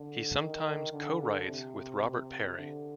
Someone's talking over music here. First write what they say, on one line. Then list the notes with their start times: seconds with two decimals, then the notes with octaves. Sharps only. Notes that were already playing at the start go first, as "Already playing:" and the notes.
He sometimes co-writes with Robert Perry.
Already playing: D3
0.39 D#3
0.93 D3
1.47 C3
2.57 D3